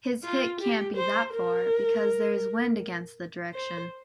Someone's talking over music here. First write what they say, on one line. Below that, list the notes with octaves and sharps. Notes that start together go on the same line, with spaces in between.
His hit can't be that far because there is wind against the direction.
F4
G4
C5
A#4
C5